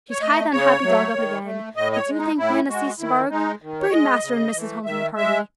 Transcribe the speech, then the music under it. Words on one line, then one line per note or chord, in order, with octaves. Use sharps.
She tied the unhappy dog up again, but do you think Nana ceased to bark? Bring master and missus home from the party!
C#5
A3 D#5
C#3 C#5
F#3 A3
D#3
A3
A2 D#5
D#5
C#5
G#3
D#4
A2 E4
G#3 F#4
D#3 E4
G#3 D#4
D#3
C#5
G#3 D#5
C#3
E3 A3
D#3 E5
G#3 E5